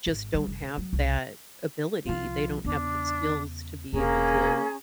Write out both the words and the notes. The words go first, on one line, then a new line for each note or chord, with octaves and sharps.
just don't have that ability. They don't have the skills to be able to,
G#1
G3
F1
C#3
F#3
C2
C2 F3 F4
E2 C#3 D4
E1 A#3 C#4 D4 G#4 A#5